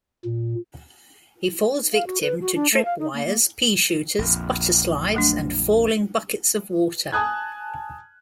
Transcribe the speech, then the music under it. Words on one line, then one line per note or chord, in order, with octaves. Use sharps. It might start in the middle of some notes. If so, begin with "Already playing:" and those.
He falls victim to tripwires, peashooters, butter-slides, and falling buckets of water.
A#2
F5
F#4
B4
F#4
D4
A3
F5
D#4
A#3
A#3
A#1 F2
F#3 A3 D4
G#5 A5 D#6 F#6 G#6